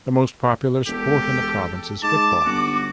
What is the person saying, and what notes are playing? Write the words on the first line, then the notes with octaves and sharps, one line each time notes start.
The most popular sport in the province is football.
E1 G4 A4
G#2 A5 D6
G1 F#4